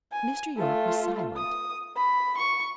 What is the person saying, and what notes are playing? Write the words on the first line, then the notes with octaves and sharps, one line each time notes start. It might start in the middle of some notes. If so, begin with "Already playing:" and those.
Mr. Yorke was silent.
G#5
A3 F4
D#6
B5
C#6